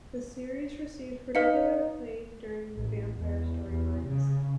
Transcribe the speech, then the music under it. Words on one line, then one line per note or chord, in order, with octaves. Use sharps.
The series received particular acclaim during the vampire storylines.
D#4 B4 F5 C#7
A1
E2
E2
C#3